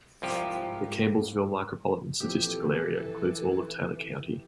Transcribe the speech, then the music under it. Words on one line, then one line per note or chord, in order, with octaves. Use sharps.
The Campbellsville Micropolitan Statistical Area includes all of Taylor County.
C2 G#2 F3 G4
A#2 E3 F3 C4 G4 A4